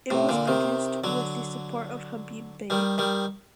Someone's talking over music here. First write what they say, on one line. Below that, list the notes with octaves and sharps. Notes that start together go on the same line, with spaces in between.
It was produced with the support of Habib Bey.
A2 C3
A#2 D3
C3 D#3
D3 F#3
D#3 G3
D#3 G3